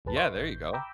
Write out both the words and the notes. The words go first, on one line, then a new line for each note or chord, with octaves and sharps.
Yeah, there you go.
A#1 E2 G#4 B4 A5
B4 D#5 E5 C6 C#6
A1 G6
G5 A#5 B5 D6 E6 G6